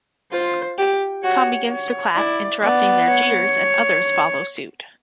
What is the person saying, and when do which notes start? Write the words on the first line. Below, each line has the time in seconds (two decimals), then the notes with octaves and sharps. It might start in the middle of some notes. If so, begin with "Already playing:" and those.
Tom begins to clap, interrupting their jeers, and others follow suit.
0.32 F4 C5
0.78 G4
1.24 F#4 C#5
1.70 C#5
2.16 E4 D5
2.62 B3 D5
3.09 C#5